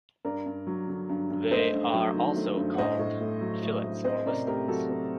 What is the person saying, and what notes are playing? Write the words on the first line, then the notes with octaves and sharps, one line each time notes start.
They are also called fillets or listels.
G2 A#4 D5
G2
F#3
D3
G2
G2
A3 C5 D#5
G2
F#3
D#3
A3
G2
F#5
A2 C5 D#5
A2
A3
F#3
A2
A2
C4 C5 D#5
C3 A#4 D5
A3 G4 A#4
F#3 F#4 A4
C4